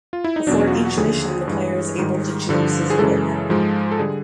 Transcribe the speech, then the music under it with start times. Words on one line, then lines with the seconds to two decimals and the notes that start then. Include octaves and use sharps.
Before each mission the player is able to choose his equipment.
0.13 F4
0.24 E4
0.36 D#4
0.47 E2 B2 F#3 D4
0.60 C#4
0.67 F#4
0.72 F4
0.85 F#4
0.97 D#2 D3 F3 G#4
1.48 G2 E3 G#3
1.98 G#2 D#3 G3
2.49 G2 D3 F3
2.90 G#4
2.99 F#2 C#3 E3 G#3 A4
3.50 G#2 F3 G#3
3.91 A4
3.99 D3 G3 G#4